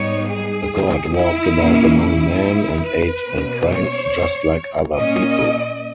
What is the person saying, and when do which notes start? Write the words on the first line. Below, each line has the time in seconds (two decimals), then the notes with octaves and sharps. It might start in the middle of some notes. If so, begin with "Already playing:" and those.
A god walked about among men and ate and drank just like other people.
Already playing: G#2 G3 B3 D#4 C#5
0.28 G#4
1.14 E4
1.56 A#2 A#3 C#4
1.99 E4
2.84 B4
3.27 B2 A#3 C#4
3.69 C#5
4.97 A#2 A#3 C#4 D#5